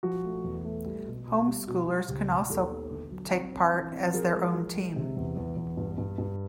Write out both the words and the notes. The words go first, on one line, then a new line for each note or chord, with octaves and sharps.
Home-schoolers can also take part as their own team.
F3 F#4
A3
E2
A3
G3
B2
B2
G3
B2 F#4
G3
C#2 G4
B2
D#2 G4 A4
B3
D3
F#3
C4
C4
E3
C4
F3 G#4 A#4
G#3
F3
G#3
C3
E2
E2
E2
G2
G2
G2